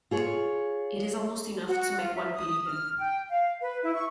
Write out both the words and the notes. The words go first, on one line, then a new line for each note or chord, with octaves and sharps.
It is almost enough to make one pity him.
F4 G#4 C#5
F#4
F4
E5
D#6
F6
G5
F5
B4
E4
C#6